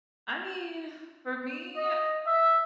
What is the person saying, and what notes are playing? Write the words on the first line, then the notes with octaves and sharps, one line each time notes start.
I mean, for me,
D#5
E5